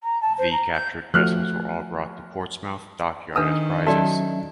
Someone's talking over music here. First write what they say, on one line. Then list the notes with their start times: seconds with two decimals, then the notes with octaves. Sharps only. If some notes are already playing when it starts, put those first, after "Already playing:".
The captured vessels were all brought to Portsmouth Dockyard as prizes.
0.03 A#5
0.21 A5
0.38 C5
0.51 A#5
0.73 G6
1.14 F3 A3 F#4 F6 F#6
3.36 D#3 D4 A4 B4 D#6
3.87 F#3 C#4 F#4 A4 D5 E5